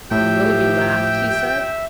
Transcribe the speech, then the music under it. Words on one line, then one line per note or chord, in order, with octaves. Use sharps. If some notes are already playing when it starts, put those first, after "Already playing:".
"And Willoughby laughed?" he said.
A2 F3 G4 E5 G5